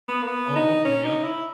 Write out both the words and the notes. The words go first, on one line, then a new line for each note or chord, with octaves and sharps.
Oh, okay, yep.
B3
A#3
B3
D#4
C#4
D#4
E4